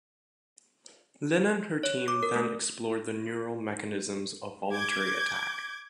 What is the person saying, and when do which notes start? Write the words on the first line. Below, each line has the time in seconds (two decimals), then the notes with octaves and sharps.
Lin and her team then explored the neural mechanisms of voluntary attack.
1.83 C#5
2.08 D6
2.23 A#4
2.36 A3
4.73 D6 G6 G#6